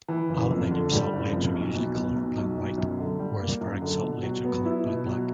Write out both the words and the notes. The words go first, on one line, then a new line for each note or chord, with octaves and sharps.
Aluminium salt lakes are usually coloured blue-white, whereas ferric salt lakes are coloured blue-black.
E3
F#1
F2
D3
G3
F#1
F2
B1
B2
F#3
B1
B1
B2
F#2
D3
G3
A#3
F#2
D3
B2
F#3
B3
E4
B2
F#3